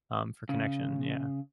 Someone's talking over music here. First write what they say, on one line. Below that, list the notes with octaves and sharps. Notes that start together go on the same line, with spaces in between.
um, for connection, yeah.
C#3